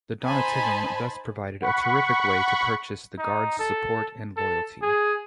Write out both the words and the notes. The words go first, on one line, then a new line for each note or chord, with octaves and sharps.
The "donativum" thus provided a terrific way to purchase the Guards' support and loyalty.
D#4 C5 G#5 A5 B5
F#5 B5 C#6
D#4
A4
A4
G#4